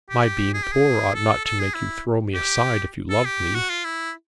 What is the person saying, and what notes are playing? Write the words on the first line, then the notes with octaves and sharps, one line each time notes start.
My being poor ought not to make you throw me aside if you loved me.
G4
G#4
G4
G#4
A4
A4
G#4
E4
G4
A4
G4
F#4
F4
E4